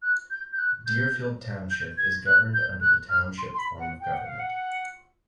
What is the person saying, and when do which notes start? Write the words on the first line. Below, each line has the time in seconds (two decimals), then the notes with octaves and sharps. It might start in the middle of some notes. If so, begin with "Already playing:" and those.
Deerfield Township is governed under the Township form of government.
0.02 F#6
0.31 G6
0.53 G6
0.58 F#6
0.87 G6
1.71 G6
1.98 G#6
2.26 F#6
2.54 G6
2.81 F#6
3.09 F6
3.38 C6
3.54 C6
3.59 B5
3.80 F#5
4.01 G5
4.14 F#5
4.26 F5
4.39 F#5